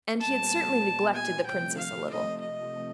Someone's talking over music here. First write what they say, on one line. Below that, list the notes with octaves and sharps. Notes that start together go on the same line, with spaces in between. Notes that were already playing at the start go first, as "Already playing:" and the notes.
And he had certainly neglected the Princess a little.
A#2 G3 B3 A5
G#5
C3 F3 A3 G5
F5
D#5
D#5